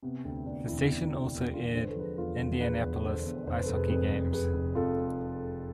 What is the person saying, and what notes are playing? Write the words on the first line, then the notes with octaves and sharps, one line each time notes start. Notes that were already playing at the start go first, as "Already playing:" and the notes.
The station also aired Indianapolis Ice hockey games.
C3 B3
D2 C4
D2 B3 D4
E1 C4 E4
E1 B3 D4
C3 C4 E4
E1
E1 D4 F4
D3 C5
B4
A4
F3 G#4 B4
E2 F4 A4
E1
D3 G#4 B4
E2
D3 A4 C5
E2
F1 C5
B4
F1 A4
G#4 B4
F2 G#4 B4
F1
F1 G#4 B4
F1
F2 F4 A4